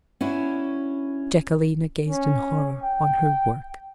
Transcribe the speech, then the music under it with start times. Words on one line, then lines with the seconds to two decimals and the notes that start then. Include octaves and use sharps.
Jacquelina gazed in horror on her work.
0.21 C#4 D4 E4 F#4
2.09 C#4
2.83 G5